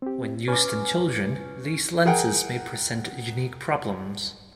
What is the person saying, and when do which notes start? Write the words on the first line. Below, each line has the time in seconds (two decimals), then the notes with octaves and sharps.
When used in children, these lenses may present unique problems.
0.02 C4 G4
0.48 C#4 B4 D6
2.05 G#4 A#4 F#5 G5